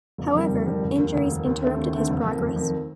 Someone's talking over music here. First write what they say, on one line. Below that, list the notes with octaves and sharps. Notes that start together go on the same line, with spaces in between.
However, injuries interrupted his progress.
F1
F2 D#3 G3
F1
F2 D#3 G3
F1
D#2 D#3
F1
D#2 D#3
D#2
D3 A3 C4
D#2
D3 A3 C4
F1
F2 D#3
F1
F2 D#3